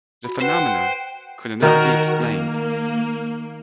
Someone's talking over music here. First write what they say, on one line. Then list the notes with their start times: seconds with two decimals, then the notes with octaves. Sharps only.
The phenomena could not be explained.
0.24 F#4 B5
0.42 B4 C5 F#5 G5 E7
1.62 D#3 F#4 A#4 D#5
2.23 A#3